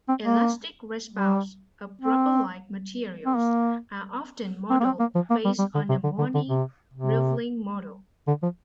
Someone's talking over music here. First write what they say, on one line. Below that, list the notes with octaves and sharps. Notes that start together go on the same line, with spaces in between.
Elastic response of rubber-like materials are often modeled based on the Mooney-Rivlin model.
C4
A#3
G3
C4
C4
A#3
C4
A#3
C4
A#3
F3
A#3
G3
G3
D3
C3
D3
D3
D3
C3
C3
D3
F3